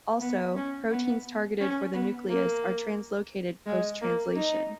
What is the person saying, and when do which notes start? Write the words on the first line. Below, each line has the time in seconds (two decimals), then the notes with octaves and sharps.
Also, proteins targeted for the nucleus are translocated post-translation.
0.21 B3
0.56 C#4
0.91 B3
1.60 C#4
1.94 B3
2.29 A#3
3.66 G#3
4.01 A#3
4.36 D#4